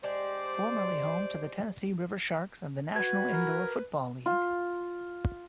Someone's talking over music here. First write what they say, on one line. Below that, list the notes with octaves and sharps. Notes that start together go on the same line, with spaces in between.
Formerly home to the Tennessee River Sharks of the National Indoor Football League.
G#3 D4 G4 C5 D5
F#4 B4 G#6
A#4
F4